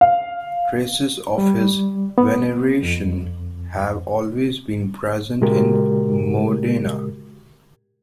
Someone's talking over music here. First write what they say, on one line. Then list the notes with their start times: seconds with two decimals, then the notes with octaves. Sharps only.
Traces of his veneration have always been present in Modena.
0.01 F5
1.38 G3
2.18 B3
2.83 F2
5.41 A#2 C#3 G#3 F#4 G4 A#4